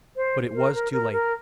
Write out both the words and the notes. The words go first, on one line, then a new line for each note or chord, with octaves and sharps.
But it was too late.
C5
A#4
A#4
A#4
A#4